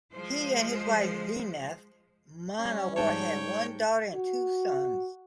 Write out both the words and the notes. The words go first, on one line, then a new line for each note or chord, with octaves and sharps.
He and his wife Zeenath Munawar had one daughter and two sons.
F3 G#3 C5
G3 C#4
G#2 C#5 G5 A5
F#4